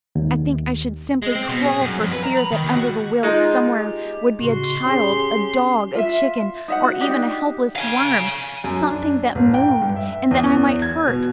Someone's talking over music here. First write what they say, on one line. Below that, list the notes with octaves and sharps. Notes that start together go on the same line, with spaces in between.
I think I should simply crawl for fear that under the wheels somewhere would be a child, a dog, a chicken, or even a helpless worm--something that moved and that I might hurt.
D#2
G#3
C4
B2
G#4
F#2
F2
B4
A#5
B5
D#3
D#2
F#4
G#3 D#4 F4
G4
A2 C#3 F#4 C6
C#4 G4 G#4
F4 E5
D#4 E5 F#5
F#4
D4 D#4 G4
F5 G#5
F#2
D4
A1
G5
G2
E5
E2
G#6
B2